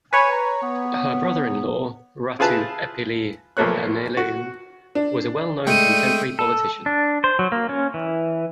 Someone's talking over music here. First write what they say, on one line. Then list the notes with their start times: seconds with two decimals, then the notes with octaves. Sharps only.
Her brother-in-law, Ratu Epeli Ganilau, was a well-known contemporary politician.
0.13 B4 C#5 G#5
0.32 A#5
0.62 B3
2.39 E4 F4 G#4 B4 A5
3.57 B1 F3 A3 A#3 C#5 F#6
4.17 F#4
4.95 D4
5.67 G#3 A3 G5 C#7 D#7
6.39 A4
6.86 D4
7.24 C5
7.39 F#3
7.52 A#3
7.69 C#4
7.94 E3